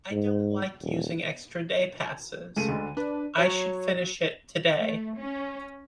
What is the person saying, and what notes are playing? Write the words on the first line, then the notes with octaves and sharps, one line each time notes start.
I don't like using extra day passes; I should finish it today.
G#2
D#1
C#2 G#3 A3 D#7
D2 D3
D4 B4
F#3 C#5
A3
C#4